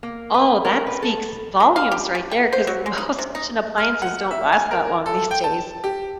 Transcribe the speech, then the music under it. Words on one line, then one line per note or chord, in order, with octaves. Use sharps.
Oh, that speaks volumes right there 'cause most appliances don't last that long these days.
A#3
B4
A#4
B4
A4
D#3
F5
G4
C#4
G5
C5
F#3
G#3
D#4
C3
D#4
F6
F#5
E5
G#5
A#4
A4
G5
A5
G4